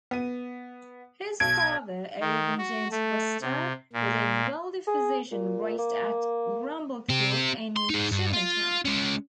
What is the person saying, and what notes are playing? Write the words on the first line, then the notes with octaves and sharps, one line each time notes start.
His father, Owen Jones Wister, was a wealthy physician raised at Grumblethorpe in Germantown.
B3 D#7
B1 G#6 D7
D#3
F#4
A3
C3
A#2
G#4
A#2
A#3
C4 G4
C6
D#4 G#4
G2
F4
G#3 C#4